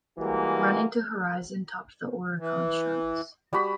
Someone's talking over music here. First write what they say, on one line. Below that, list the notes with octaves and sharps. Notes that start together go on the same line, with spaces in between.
"Running to Horizon" topped the Oricon charts.
E3 G3 G#3 A#3 F#4
E3
G3 F#4 B5